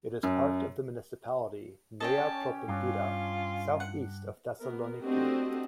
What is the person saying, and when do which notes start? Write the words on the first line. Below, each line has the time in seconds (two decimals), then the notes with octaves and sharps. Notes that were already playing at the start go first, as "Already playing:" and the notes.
It is part of the municipality Nea Propontida, southeast of Thessaloniki.
0.23 F#2
2.00 C#4 G4 C#5 D#5 A5
2.68 G2 F4
3.80 F#5
4.60 B3 A#4
5.01 A3 C4 D4 F#4 G4 D#5